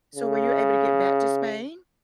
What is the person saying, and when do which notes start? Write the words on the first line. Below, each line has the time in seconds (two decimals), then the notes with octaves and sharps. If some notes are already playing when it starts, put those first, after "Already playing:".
So were you able to get back to Spain?
0.15 C#3